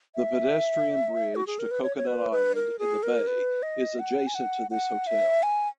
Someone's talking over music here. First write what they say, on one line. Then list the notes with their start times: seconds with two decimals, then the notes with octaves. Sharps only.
The pedestrian bridge to Coconut Island in the bay is adjacent to this hotel.
0.15 E5
1.35 F#4
1.47 G#4
1.59 A#4
1.71 B4
1.83 C#5
1.97 C#5
2.07 B4
2.31 B4
2.55 A#4
2.79 G#4
3.03 A#4
3.27 B4
3.63 D#5
3.99 F#5
4.27 G#5
4.35 F#5
4.71 F#5
5.07 E5
5.43 G#5